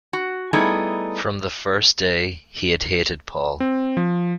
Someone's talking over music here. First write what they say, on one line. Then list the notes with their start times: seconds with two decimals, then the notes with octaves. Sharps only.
From the first day he had hated Paul.
0.13 F#4
0.53 G3 A3 B3 D#4 E4 G#4
3.60 C4
3.97 F3